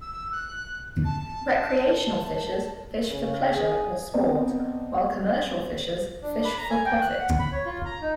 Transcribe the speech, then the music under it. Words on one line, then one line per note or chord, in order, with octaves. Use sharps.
Recreational fishers fish for pleasure or sport, while commercial fishers fish for profit.
E6
F#6
A5
C#3
G#4
B3 C4 D4 B4 D#5 A#5
D4
B5
A#5
G#5
G5
F#6
F#5
B5
C#5
F4
A#5
D#4